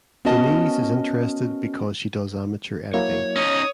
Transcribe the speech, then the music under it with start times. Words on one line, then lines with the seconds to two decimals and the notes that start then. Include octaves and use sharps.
Denise is interested because she does amateur editing.
0.25 B3 C#4 F#4 A#4 D#5 A5
2.94 F#3 A#3 E4 C#5
3.36 C#4 D#4 D#6